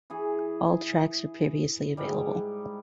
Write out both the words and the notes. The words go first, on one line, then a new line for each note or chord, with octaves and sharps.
All tracks are previously available.
E3 E4 G#4
G#2 G3